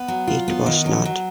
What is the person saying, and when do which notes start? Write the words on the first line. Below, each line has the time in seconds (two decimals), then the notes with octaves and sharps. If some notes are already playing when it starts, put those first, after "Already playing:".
It was not.
Already playing: B3
0.08 F#3
0.27 F4
0.48 B3
0.66 D#3
0.86 F#3
1.05 F#3